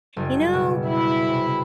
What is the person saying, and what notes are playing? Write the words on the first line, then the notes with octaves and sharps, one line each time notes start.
"You know,
F#1 G3
B2
E4
C3